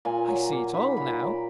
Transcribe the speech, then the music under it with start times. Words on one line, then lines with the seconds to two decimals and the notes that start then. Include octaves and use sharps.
I see it all now.
0.05 A#2 G#5
0.28 F#3
0.52 A#3
0.74 D#4 B5
0.97 A#2 B5
1.19 F#3 D6